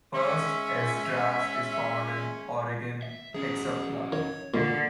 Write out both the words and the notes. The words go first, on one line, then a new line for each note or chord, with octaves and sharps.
First Esdras is found in Origen's "Hexapla".
G#3 C#4 E5
E5
F3 C#4 G#4
D#3 C#5
A#2 D3 A#3